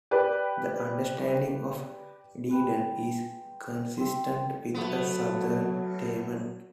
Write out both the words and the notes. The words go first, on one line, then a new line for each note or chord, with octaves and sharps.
This understanding of Dedan is consistent with a southern Teman.
G4 B4 D5
G#3 B4 G5
E5 G5 C6
F#3 A3 B3